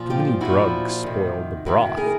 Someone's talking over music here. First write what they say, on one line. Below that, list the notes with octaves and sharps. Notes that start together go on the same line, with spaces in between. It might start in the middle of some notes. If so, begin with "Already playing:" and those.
Too many drugs spoil the broth.
Already playing: A#2 F3
F4 G4
A#2 F3 E4 F#4
C3 D#3
C3 D#3 E4 F#4
G#4 A#4